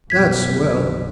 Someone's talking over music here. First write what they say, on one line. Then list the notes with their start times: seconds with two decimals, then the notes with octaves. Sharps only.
That's well.
0.10 B1 F#2 G#6 B6